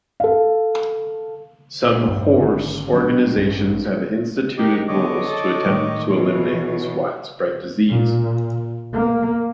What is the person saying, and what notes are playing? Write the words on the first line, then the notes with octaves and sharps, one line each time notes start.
Some horse organizations have instituted rules to attempt to eliminate this widespread disease.
A4 F5
G2
G#1 D3 C#4
F#3 D4
A1 G2 C#4
G4 A#4 D#5 D6
D3 B3 C#5 D#5 D6
A4
A2 D#3
B2 E3 C#5
A#2
A#3